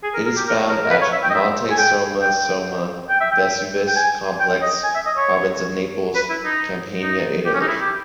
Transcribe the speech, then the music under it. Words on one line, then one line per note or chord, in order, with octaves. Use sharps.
It is found at Monte Somma, Somma-Vesuvius Complex, Province of Naples, Campania, Italy.
G#4
A#4
A#4
G4
A#4
A#4
A#4
B4
C#5
E5
G5
D#5
E5
G#5
G5
G5
G5
E5
G5
G5
G#5
G5
D#5
G#5
E5
D#5
C#5
B4
E4
D#4
D#4
G4
C#4
D#4
E4
G4